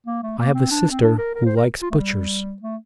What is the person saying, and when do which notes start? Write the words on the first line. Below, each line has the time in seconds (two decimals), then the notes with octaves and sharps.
I have a sister who likes butchers.
0.07 A#3
0.23 A3
0.39 A#3
0.54 C4
0.71 D4
0.91 C4
1.03 D4
1.18 A#4
1.35 A#4
1.46 C5
1.56 A#4
1.82 F4
1.91 A3
1.98 G3
2.62 A3